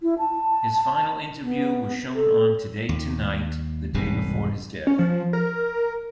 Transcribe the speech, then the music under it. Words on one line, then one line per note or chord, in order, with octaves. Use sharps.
His final interview was shown on "Today Tonight" the day before his death.
E4
A5
B3
A4
D#2
E1 C2 G#2 B2
C#4
F3
A#4